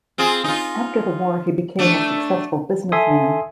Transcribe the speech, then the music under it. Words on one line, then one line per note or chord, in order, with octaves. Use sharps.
After the war, he became a successful businessman.
C4 F4 G#4
D#4 F4
A3 D4
A4 E5 G#5 C6 D#6